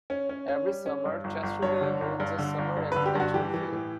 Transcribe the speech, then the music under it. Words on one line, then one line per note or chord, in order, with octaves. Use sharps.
Every summer, Chesterville holds a summer agricultural fair.
C#4
C#4
C#4
G3
C#4
G2
G1
G1
G2 C#5
D3
G1
G2
D3
G1
G2
D3 B4
G4
G2 F#4
E3 G4
E3
A2